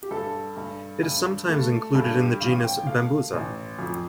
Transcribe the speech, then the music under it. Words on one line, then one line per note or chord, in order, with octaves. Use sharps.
It is sometimes included in the genus "Bambusa".
G4
G2 A4
G2
G2
A3
G2 A4
G4
A1 F5
G5
A3 F5
A1
F2